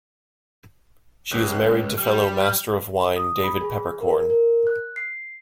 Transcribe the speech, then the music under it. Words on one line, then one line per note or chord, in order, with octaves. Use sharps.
She is married to fellow Master of Wine David Peppercorn.
C#2
G3
D#6
B5
G#4
A#4
A#4
F#6
C7